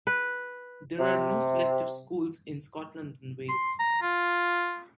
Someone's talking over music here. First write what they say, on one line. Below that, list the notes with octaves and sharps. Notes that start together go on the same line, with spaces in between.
There are no selective schools in Scotland and Wales.
B4
C3
C6
A#5
F4